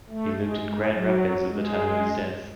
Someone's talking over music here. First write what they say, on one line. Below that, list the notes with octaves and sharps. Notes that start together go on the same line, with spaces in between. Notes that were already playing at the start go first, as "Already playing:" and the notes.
He lived in Grand Rapids at the time of his death.
A3
G#3
G#3
F#3
G#3